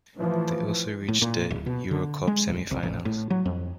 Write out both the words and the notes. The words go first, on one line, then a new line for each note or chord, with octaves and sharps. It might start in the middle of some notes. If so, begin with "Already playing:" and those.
They also reached the EuroCup semifinals.
A2 E3 F3
A2
A#2
D1
B2
D3
G#3
D#1
C2
A1
A2
F#3
F2